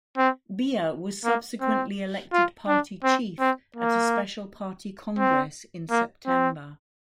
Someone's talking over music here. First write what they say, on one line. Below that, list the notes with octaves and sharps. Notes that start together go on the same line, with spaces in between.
Biya was subsequently elected party chief at a special party congress in September.
C4
A#3
C4
F4
D4
C4
C4
A#3
C4
A#3
C4